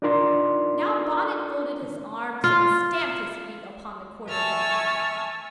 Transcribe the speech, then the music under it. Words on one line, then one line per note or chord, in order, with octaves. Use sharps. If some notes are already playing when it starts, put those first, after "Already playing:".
Now Bonnet folded his arms and stamped his feet upon the quarter-deck.
D4 D#4 F4 A#4 D5 C6
F4
E5 G#5 A5 C#6 E6 F6